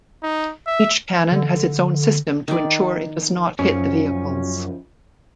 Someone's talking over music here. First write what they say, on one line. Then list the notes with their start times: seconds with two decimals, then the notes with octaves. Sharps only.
Each cannon has its own system to ensure it does not hit the vehicles.
0.23 D#4
0.67 E5
1.32 D3
2.48 D#3 D5
3.59 F#2 C#3 F3 C#4